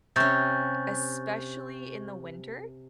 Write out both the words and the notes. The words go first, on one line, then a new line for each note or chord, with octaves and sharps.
especially in the winter,
C3 C#4 C#6 G6 A6